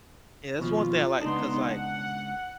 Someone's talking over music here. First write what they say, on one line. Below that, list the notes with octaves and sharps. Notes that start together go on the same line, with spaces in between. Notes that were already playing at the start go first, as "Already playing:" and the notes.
Yeah, that's one thing I like 'cause, like,
D#2 B2 F3 F4
C#2 B3 D4 D#4 C6
F#5